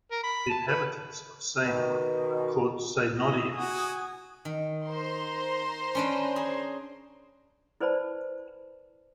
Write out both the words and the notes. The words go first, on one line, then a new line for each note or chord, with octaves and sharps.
The inhabitants of Seynod are called Seynodiens.
A#4
B5
A5
B4
B2 D#3
E4 D#5
F#4 G#5 D#6
D#3
C5 A#5 C6
C#4 D4 B4
G#4
E4 B4 C5 D5 A5 B5